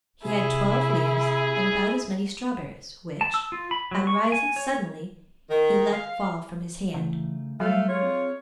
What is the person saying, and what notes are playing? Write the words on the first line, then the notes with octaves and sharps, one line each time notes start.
He had twelve leaves and about as many strawberries, which, on rising suddenly, he let fall from his hand.
C3 E4 G#4
A5
E6
F4
B5
F#3
C#6
G#5
C#5
D#3
F5
C#3 E3 A3 D#4
F#3 G3 A3 F5
G#3 F4 C#5
C4 G#4 D#5